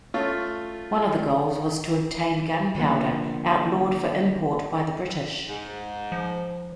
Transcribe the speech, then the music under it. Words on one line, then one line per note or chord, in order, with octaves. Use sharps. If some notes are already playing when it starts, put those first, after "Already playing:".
One of the goals was to obtain gunpowder, outlawed for import by the British.
A3 C#4 F4
D3 F3 A#3 B3
G#2
F3